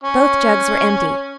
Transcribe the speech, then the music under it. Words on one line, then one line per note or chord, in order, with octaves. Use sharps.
Both jugs were empty.
C#4